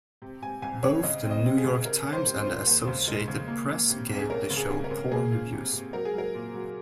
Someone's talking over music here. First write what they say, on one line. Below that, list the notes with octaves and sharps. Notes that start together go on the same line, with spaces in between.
Both "The New York Times" and the Associated Press gave the show poor reviews.
C3
C3 G#5
C2 G#5
C2 C#5
C#3 D#5
C4
D#5
C4
G#4
C#3
C3 A#4
C#4
C5
C3
C5
F4
D#2
C#3
G#3
C#3
A#3
A#3
C3
C2
G#4
C#4 A#4
C#3
G#4
C#3
A#4
C#3
A#3 G#4
F4
C3
C3
F#3 A#4
G#4
F#3 A#4
A#2
F#3